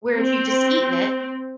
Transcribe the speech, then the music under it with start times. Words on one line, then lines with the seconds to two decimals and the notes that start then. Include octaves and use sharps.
where if you'd just eaten it
0.19 C4